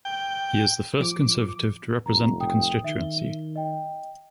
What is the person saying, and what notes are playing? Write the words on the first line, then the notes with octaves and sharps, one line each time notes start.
He is the first Conservative to represent the constituency.
G5
F3 D6
F1 A#5
G5 D#6
D#3 E5 G7
D#5 G5